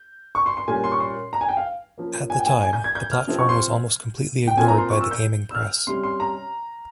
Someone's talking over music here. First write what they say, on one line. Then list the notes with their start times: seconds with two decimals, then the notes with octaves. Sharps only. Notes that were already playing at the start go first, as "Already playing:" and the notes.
At the time, the platform was almost completely ignored by the gaming press.
Already playing: G6
0.35 C#6
0.46 C6
0.57 C6
0.68 A#2 G3 C#4 G#5
0.84 C6
0.92 C#6
1.00 C6
1.33 A#5
1.41 G#5
1.49 G5
1.57 F5
1.98 F3 A#3 C#4
2.30 G#5
2.39 G5
2.46 G#5
2.62 G#5
2.73 G6
2.84 G#6
2.95 G6
3.12 F6
3.27 C3 F3 C4
3.39 C#6
3.49 C6
4.47 G5
4.57 A#2 F3 C4 G#5
4.68 A#5
4.78 C6
4.90 C#6
5.01 E6
5.11 G6
5.51 E6
5.55 F6
5.87 C3 G3 C#4 C6
6.03 C6
6.20 A#5